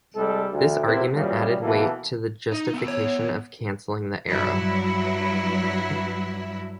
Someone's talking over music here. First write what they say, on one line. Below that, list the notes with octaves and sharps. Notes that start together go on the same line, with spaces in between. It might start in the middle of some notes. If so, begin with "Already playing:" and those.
This argument added weight to the justification of cancelling the Arrow.
C2 G3 G#3 A4
D2
E2 C3 E4 G4 A#4 C5
F#2 A#2 C#3 E3 G3
B2 E3 A#3 A4
D#4
B3 G#5
C#5
G2 F#3 E4